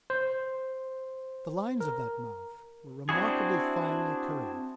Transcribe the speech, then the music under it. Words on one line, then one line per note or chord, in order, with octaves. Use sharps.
The lines of that mouth were remarkably finely curved.
C5
A#4
C4 D4 E4 F#4 G#4